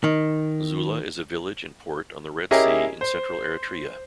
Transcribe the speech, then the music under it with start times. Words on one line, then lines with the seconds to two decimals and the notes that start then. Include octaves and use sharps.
Zula is a village and port on the Red Sea in central Eritrea.
0.04 D#3
2.51 C#4 E4 G4 G#4 A#4 D#5
3.01 C5